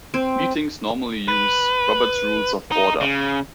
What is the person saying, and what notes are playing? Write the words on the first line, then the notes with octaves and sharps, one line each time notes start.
Meetings normally use "Robert's Rules of Order".
C4
B4
D#4
C#3